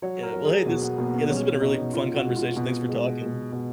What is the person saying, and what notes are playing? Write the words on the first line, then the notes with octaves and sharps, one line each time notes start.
Yeah, well, hey, this Yeah, this has been a really fun conversation, thanks for talking.
F#3 C#5
A#4
F#3
G#4
B2 F#4
B3
B2 A#3
B3
G#3 C#4
B2 D#4
B2 F4
F#4
G#3
F4
B2
G#3
G#3
B2